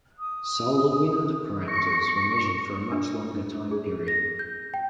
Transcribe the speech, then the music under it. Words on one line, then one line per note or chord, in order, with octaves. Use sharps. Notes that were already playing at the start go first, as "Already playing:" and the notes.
Solar wind parameters were measured for a much longer time period.
D#6
C#6 A#6
D4
G#4
A#6
G6
G5